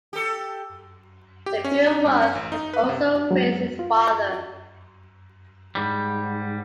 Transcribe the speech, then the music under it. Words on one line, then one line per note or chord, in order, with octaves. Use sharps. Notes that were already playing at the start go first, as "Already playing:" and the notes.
The Purewas had also raised his father.
G4 A4
G4
C#4
D#4
G2
C#4
A1
D#4
B4
C3
F#3 G#3
F4
G#2 G3